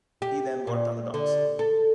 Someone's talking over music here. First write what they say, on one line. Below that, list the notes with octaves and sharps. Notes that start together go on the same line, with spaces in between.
He then worked on the docks.
G4
A#2
D3
A4